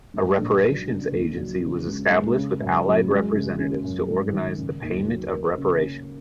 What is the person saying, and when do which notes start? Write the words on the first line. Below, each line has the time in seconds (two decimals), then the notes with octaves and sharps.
A Reparations Agency was established with Allied representatives to organize the payment of reparations.
0.14 G#2
0.38 A#1
0.63 F#3
0.87 C#3
1.12 D#2
1.37 F#3
1.62 C#3
1.86 C#2
2.11 G#3
2.36 C#3
2.60 F#2
2.86 F#3
3.10 G#3
3.34 C#3
3.59 C#4
3.84 F#2
4.09 G#1
4.33 D#3
4.58 C#3
4.82 D#2
5.07 F#3
5.32 A#3
5.57 C#3
5.81 C#4